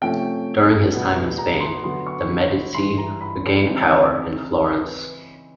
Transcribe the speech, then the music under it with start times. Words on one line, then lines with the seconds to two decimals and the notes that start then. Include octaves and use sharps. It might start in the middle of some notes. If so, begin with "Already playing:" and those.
During his time in Spain, the Medici regained power in Florence.
0.01 C3 F3 A3 C#4 G5
0.93 B2 G3 B3
1.38 A#5
1.60 C6
1.84 D3 F#3 B3 C6
2.07 C#6
2.75 G2 E3 G3 C6
2.98 A#5
3.21 B5
3.66 C#3 E3 G#3 C4